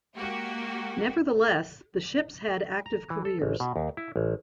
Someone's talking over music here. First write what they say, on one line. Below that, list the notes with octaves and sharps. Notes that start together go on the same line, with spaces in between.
Nevertheless, the ships had active careers.
G#3 A#3 F#4 G4
A#5
E3
A4
A1
B2
D#2
E4
A1